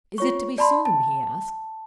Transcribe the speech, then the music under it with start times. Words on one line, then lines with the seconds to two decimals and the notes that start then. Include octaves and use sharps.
"Is it to be soon?" he asked.
0.18 F4 C#5 C#6
0.58 D5 A5 B5 C6
0.85 A5